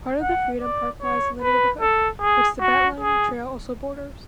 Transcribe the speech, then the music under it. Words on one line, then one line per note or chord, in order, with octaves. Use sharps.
Part of Freedom Park lies in the neighborhood, which the BeltLine trail also borders.
F#5
D5
C#5
B4
A4
G#4
F#4
G#4